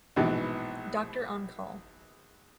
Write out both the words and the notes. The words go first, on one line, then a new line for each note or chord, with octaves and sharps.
Doctor on Call.
A#1 G#2 B2 E3